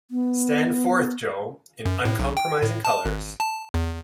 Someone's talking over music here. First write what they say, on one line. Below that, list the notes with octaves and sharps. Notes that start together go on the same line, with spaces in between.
Stand forth, Jo, in uncompromising colours!
B3
F#2
A2
B1
G5
A2
A5
G#1
A5
E2